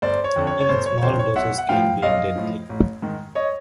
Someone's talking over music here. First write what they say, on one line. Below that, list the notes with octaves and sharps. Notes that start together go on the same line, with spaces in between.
Even small doses can be deadly.
G1 C5 D5
C#5
F2 D3
C#5
C#5
G1 C5
C#5
C#5
F2 D3 C5
C#5
B1 E5 F#5
F#5
A2 F3 F5 G5
B1 D#5 F5
A2 F3
A1
G#2 D#3
C#5 D#5